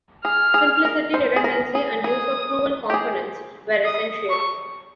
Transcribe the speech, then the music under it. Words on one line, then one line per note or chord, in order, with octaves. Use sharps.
Simplicity, redundancy, and use of proven components were essential.
G#4 F6
G#4
A#4
C5
G#4
A#4
G#4
G#4 D#6
G4
G#4
D#6
C#6